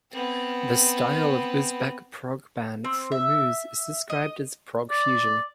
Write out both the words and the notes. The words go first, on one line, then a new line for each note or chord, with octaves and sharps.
The style of Uzbek prog band Fromuz is described as "prog fusion".
B3 C4
C4
E5
D#5
D5